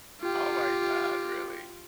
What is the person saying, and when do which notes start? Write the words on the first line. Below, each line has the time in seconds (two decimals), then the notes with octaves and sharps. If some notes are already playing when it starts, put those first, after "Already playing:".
Oh my god, really?
0.21 F4 G4